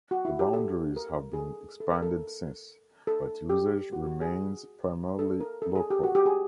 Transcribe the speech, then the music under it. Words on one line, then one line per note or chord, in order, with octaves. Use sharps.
The boundaries have been expanded since, but usage remains primarily local.
F#4
E4
G4
A4
A#4
G#4
A4
A4
A#4
A4
A4
G4
F#4
F#4
G#4
A4
A#4
A4
G#4
G4
F#4
G4
G#4